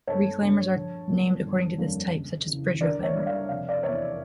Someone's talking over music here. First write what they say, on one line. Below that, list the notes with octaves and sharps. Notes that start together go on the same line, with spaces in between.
Reclaimers are named according to this type, such as "Bridge reclaimer".
G1 A4 C#5
G2 D3 A3
A#1
A#2 G3 A#3
G1
F2 D3 G3 A#3
C#2
C#3 E3
D2 A#4 D5
C#5 E5
D3 G3 A#3
D5 F5
F1 F5
D5 F5
E2 E3 A#3 C#5 E5